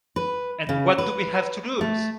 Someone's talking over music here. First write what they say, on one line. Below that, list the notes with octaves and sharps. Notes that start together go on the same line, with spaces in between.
And what do we have to lose?
B4
C#3
B4
A3